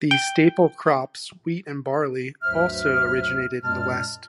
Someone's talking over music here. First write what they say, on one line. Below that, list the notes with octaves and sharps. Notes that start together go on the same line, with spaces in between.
The staple crops, wheat and barley, also originated in the west.
G5
D2 G2 F#3 C5 E5 F6
F#2 A#2 G#3 A5 F6